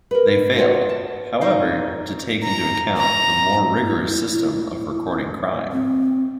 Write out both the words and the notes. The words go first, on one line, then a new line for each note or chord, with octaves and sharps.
They failed, however, to take into account the more rigorous system for recording crime.
A#4 B4
F4 F#4 D#5 F#5
A5
D#4 C5 F5
A#5
A#5
E4
C4